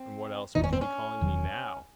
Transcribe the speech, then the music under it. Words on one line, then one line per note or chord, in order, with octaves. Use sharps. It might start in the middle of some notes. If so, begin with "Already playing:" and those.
"And what else would you be calling me now?"
Already playing: C4
F#1 E2 D#3 D#4
C#4
C4
C#4
E1 E2 D#3 F#3